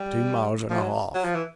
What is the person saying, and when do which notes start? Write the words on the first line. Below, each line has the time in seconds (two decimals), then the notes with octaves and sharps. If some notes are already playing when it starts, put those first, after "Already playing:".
"Two miles and a half."
Already playing: G3
0.70 F3
0.81 F#3
1.14 F#3
1.24 F3
1.35 E3